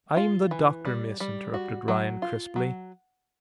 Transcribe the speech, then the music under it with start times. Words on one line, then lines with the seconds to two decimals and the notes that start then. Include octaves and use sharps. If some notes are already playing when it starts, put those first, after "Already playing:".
"I'm the doctor, miss," interrupted Ryan, crisply.
0.17 F4
0.51 E3
0.85 G3
1.20 G3
1.54 F#4
1.88 F#3
2.22 F4
2.56 F#3